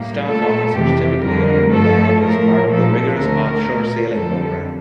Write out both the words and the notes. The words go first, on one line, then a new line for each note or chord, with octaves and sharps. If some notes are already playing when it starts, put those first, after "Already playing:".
Staff officers typically earn the badge as part of the rigorous off-shore sailing program.
Already playing: A2 G3 A#3
A#2 A3 A4
F2 C3 E3 G4
F2 D3 G3 A#4
G2 F3 A3 A4
A2 F3 A3 A#4
A#2 F3 A3 A4
D2 D3 A3 A#4
A#2 A3
F2 D3 G3 A4